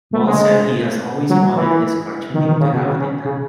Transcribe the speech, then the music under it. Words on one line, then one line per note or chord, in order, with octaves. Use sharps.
Ball said he has always wanted his cartooning to have an impact.
A3
G#3
F#3
E3
D#3
D#3
C#3
B2
C#3
C#3
C#3